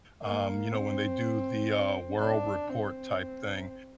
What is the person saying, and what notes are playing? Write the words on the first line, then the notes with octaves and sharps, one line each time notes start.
um, you know, when they do the, uh, world report type thing?
A#3
C4
D4
C4